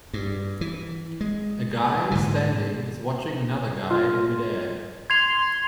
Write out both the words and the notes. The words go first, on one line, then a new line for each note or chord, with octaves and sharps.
A guy standing is watching another guy in midair.
G2
E3
G#3
G#2 D3 E3
F4
C6 G#6 F7